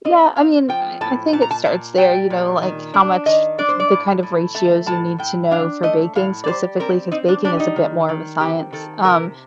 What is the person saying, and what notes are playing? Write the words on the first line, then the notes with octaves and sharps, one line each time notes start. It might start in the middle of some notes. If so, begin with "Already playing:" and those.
Yeah, I mean, I I think it starts there, you know, like how much f the kind of ratios you need to know for baking, specifically, 'cause baking is a bit more of a science, um,
C4 D#5
C4 F5
F3 G5
A2 A5
A#2 A5
A#5
A5
A#2 A5
G3 G5
A#2
D#3
D4
D#3 D#5
D4 D5
C5
D5
A2
A2
A3 A5
A2 A5
A2 G5
D4 F5
A3 D#5
A2 F5
D5
G3 C5
C4 A#4
C4 D#4
D4
G3 D4
D#4
D#3
D#3
C4 G4
D#3 A4
C3 A#4